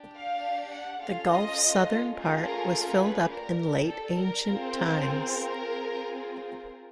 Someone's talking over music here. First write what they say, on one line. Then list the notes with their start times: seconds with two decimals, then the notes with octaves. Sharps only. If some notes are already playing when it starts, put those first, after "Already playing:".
The gulf's southern part was filled up in late ancient times.
Already playing: D4 G4
0.15 F5
0.71 F#5
1.00 C#4 F4 A4 F5
1.30 D#5
2.15 A3 C#4 F4 G#4
2.44 A#4
3.01 B4
3.30 D4 G4 A#4
3.87 A4
4.16 A#4
4.44 C4 F4 G#4
4.73 A#4
5.31 A#4
5.59 C4 F4 G#4
6.17 A#4